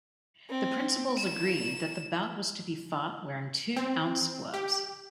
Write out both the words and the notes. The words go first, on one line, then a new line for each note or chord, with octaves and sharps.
The principals agreed that the bout was to be fought wearing two ounce gloves.
C4
E7
C4
G4